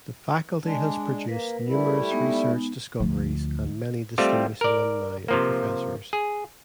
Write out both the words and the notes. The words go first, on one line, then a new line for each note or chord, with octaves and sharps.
The Faculty has produced numerous research discoveries and many distinguished alumni and professors.
G#3 D4
A#3 A#4 B4
G3 A3 E4
G#3 B3 D#4
D2 F3
G3 A3 C4 F4 G4
A#4 D5
C3 F3 A#3
G#4